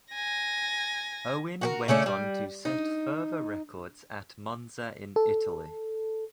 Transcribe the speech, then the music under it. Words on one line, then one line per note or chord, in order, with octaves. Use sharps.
Owen went on to set further records at Monza in Italy.
G#5 A#6
F#4 G4 A#4
C#3 A3 C#4 D4
G3
D#4
A4